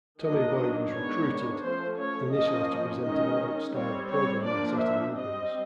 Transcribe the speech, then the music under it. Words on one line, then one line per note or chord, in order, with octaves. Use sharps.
Tommy Boyd was recruited, initially to present an adult-style programme on Saturday evenings.
D#3 F#3 A#3 D4 D#5
D#3 G#3 B3 D4 C#5
F3 A3 C#4 C5
C#5
F3 A#3 C#4 D#5
D#3 G#3 C#4 D#5
G3 C4 C#5
C#5
F3 A#3 D4 D5
E5
G3 C4 D#5